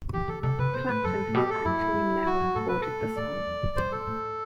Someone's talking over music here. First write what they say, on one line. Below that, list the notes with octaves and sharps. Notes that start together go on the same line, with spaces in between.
Clapton has actually never recorded the song.
E3 G4
D3 A4
C3 A4
C3 B4
B2 C5
A2 B4
F#2 A4
A2
B2 G4
A4
F#2 E4
G2
G2
F#4
F#2
A2 A4
B2 B4
B2 A4
A2
A2 D5
G2
E2
F#2
G2 C5
B2 A4
A2